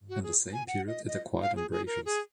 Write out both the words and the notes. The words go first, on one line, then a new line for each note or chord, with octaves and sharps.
In the same period, it acquired embrasures.
F#4
G#4
G#5
F#5
D#5
D#5
F5
G#4
G#4
A#4
G#4